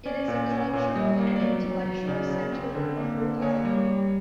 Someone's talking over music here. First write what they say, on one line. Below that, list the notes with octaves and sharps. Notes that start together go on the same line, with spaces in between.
It is a cultural and intellectual center for the whole island.
C#4 D5
A#2
C#4
A#2 C#5
G3
A#3
D5
F#3 C#5
F#3
F#3
C#3 D5
C#3
C4
D3
A#3
D3
A#3 C#5
G3
G3